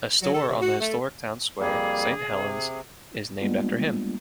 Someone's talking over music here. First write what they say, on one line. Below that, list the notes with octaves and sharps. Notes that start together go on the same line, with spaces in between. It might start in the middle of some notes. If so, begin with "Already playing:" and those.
A store on the historic town square, Saint Helen's, is named after him.
F#3
A4
C3
F#4
A3
F2 G3 A#3 G#4
C3
G3 G#3 A#3 B3 D4 F4